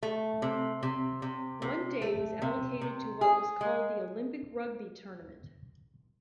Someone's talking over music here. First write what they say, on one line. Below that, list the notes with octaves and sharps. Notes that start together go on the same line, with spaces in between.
One day was allocated to what was called the Olympic rugby tournament.
A3
C3
C3
C3
C3
A3
C3
C3
G#4
G#3